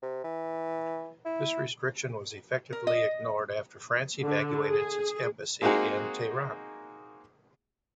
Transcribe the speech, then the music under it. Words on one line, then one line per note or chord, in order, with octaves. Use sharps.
This restriction was effectively ignored after France evacuated its embassy in Tehran.
C3
E3
E4
A#4
D#5
D3
G#4
G#3 A#3 C4 D#4 F#4 G#4